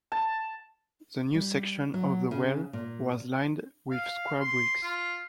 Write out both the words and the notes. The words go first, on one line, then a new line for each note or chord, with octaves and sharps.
The new section of the well was lined with square bricks.
A5
G3
F#3
C#3
A#2
F5
C6
F4